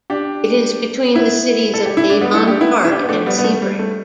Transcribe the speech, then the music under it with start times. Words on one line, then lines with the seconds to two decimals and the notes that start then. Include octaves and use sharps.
It is between the cities of Avon Park and Sebring.
0.10 D4 G4
1.15 B3 E4
1.74 A4
1.86 G4
1.97 E4
2.10 D4
2.21 G3 B3
2.34 E4 A4
2.47 D4 G4
2.61 B3 E4
2.84 E4
2.91 D4 G4
3.03 B3
3.09 A3 D4
3.26 G3 B3
3.38 B3
3.44 A3
3.62 G3
3.79 A3